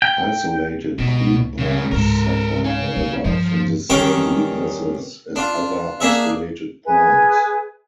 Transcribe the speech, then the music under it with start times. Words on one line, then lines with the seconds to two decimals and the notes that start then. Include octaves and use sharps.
Isolated queen pawns suffer, however, from the same weaknesses as other isolated pawns.
0.02 G5
0.99 C#2 B2 D3
1.58 G2 C#3
1.92 C#2 G#2 A4 A#4
2.65 C#4 F5
2.96 C2 C#3
3.25 G2 F3
3.90 G2 D#3 C#4 A#4 G5 D6
5.36 D4 F4
6.00 A#3 D4 G#4 E5
6.85 G#4 B4 E5 G#5